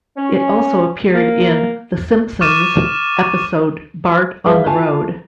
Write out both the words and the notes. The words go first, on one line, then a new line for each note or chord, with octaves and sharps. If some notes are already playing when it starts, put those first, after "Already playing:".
It also appeared in "The Simpsons" episode Bart on the Road.
C#4
A#3
C#6 D6 F6 A6 D#7 E7
G3 G#4 B4 E5 F5
A3 F4 G#5 A5